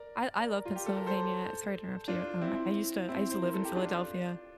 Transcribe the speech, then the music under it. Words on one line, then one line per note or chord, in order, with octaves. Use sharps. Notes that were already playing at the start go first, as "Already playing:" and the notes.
I I love Pennsylvania. Sorry to interrupt you. Um, I used to I used to live in Philadelphia.
Already playing: A#4 D5
A#4 D5
F4
G4
A4
A#4
A4 C5
D4 F4
C4 E4
C4 E4
C5
A#4
A4
G4
D4 F4